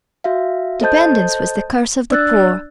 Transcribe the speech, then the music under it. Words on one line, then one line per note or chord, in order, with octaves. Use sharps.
Dependence was the curse of the poor.
F#4 E5 F5
A4 C5 D#5 A5 G6
D4 D5 E6 F#6 A6